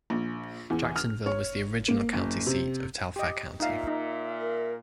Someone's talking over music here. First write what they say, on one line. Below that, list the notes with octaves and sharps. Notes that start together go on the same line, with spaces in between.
Jacksonville was the original county seat of Telfair County.
A#1
E2
F6
C#5
A#3
F#1
C3
G4 D#5
A#2 D#4 E5 F5
D#4
A#4